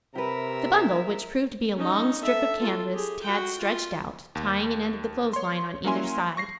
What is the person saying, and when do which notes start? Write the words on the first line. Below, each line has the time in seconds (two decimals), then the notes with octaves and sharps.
The bundle, which proved to be a long strip of canvas, Tad stretched out, tying an end of the clothes line on either side.
0.15 C3 G4 A#4 B4 E5
1.75 C#4 D#4
2.23 A4 E5
2.58 F4 A4
2.93 G4 G#4
3.22 F#4 G5
3.60 F4
4.35 D#2
5.33 C#5 C6
5.84 F#3 A#3 C#4 E4 G#5 C6
6.37 C#6 A#6 C7